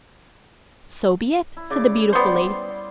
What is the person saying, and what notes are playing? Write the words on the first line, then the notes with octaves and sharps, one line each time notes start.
"So be it," said the beautiful lady.
E4
C#3 D5 D6
G3 B3 C5 D5
C6